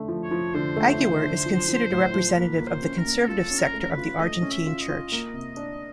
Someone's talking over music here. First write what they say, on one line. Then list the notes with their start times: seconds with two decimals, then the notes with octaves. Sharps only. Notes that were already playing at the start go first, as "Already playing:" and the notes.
Aguer is considered a representative of the conservative sector of the Argentine Church.
Already playing: D3 A3
0.08 F3
0.24 C#5
0.31 F3
0.54 D3 C5
0.76 A3
0.99 D3
1.23 D3
1.46 F3
1.68 F3
1.91 A2
2.14 F3
2.31 C5
2.37 A#3 B4
2.59 A#3
2.67 C5
2.82 C#4
2.98 A#4
3.05 A#3
3.28 F4 A4
3.51 C#4
3.59 A#4
3.74 A3
3.80 A#4
3.90 B4
3.97 F4
4.19 A3 D#5
4.42 C#4
4.51 E5
4.66 F4
4.81 D#5
4.89 F4
5.12 A#3
5.34 C3
5.57 D4